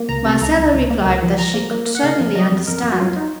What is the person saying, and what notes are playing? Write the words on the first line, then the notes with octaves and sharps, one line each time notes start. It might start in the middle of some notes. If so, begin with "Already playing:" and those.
Marcella replied that she could certainly understand.
Already playing: A#3
C#2 A#5
C3
C#2 A#5
C#2
C#2
A#3
C#2
F3
F3 A#5
A#3
A#3
A#3
F#5
C#3 F5
F2
F#3 D#5
F2
F2 A#4
F2
F#4
F#3 F4
D#4